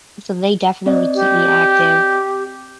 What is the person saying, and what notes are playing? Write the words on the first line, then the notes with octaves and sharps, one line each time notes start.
so they definitely keep me active,
C4 D5 D#5
G4